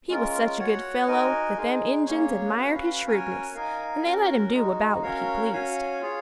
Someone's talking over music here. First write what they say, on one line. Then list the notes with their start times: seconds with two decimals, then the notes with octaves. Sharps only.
He was such a good fellow that them Injuns admired his shrewdness, and they let him do about what he pleased.
0.09 G#3 C#4 F4 A#4
0.59 F#4 C#5 F#5
1.08 D#4 F#4 A#4 D#5 G#5
1.57 G#3 D#4 G#4
2.06 A#3 C#4 G#4 C#5
2.56 C#4 F#4 B4 F5
3.05 C#4 F#4 A#4 C#5 G#5
3.55 D#4 A#4 F5 G#5
4.04 C#4 F#4 A#4
4.54 G#3 D#4 F#4
5.03 C#4 F#4 A#4 C#5 F5
5.52 C#4 F#4 C#5 F5 G#5
6.01 F4 G#4 C#5 F5